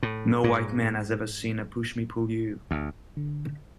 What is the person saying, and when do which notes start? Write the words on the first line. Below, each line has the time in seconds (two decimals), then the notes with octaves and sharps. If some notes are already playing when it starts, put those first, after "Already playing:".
No White Man has ever seen a pushmi-pullyu.
0.03 A2
0.44 G#2
2.71 D2
3.17 D3